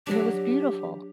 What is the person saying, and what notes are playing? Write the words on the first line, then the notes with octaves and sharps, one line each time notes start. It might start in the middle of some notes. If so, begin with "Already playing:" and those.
and it was beautiful,
F#3 D4 G4